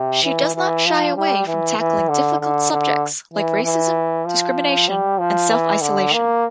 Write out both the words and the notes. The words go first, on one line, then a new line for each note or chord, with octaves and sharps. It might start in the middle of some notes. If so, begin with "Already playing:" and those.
She does not shy away from tackling difficult subjects like racism, discrimination and self-isolation.
Already playing: C3
E3
E3
F3
G3
E3
E3
D3
D3
D3
E3
E3
F3
G3
F3
E3
D3
A#3